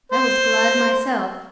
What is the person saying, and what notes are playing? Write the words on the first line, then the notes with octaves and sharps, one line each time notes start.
I was glad myself.
C5